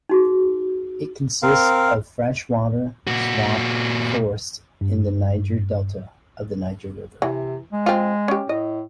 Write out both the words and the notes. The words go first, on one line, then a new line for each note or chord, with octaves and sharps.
It consists of freshwater swamp forests in the Niger Delta of the Niger River.
D#4 F#4 G#4
C4 A#4 F5
A#2 F#4
G2
C3 E3
G#3
C4 F4
C#4 G4
A2 D#5